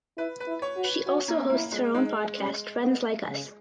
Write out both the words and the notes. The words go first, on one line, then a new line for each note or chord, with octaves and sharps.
She also hosts her own podcast "Friends Like Us".
E4 B4
B4
E4
C#5
F#4
B4
C#4 F#4
A#3
A#3 E4
G#3
G#3 D#4
C#4
B3
C#3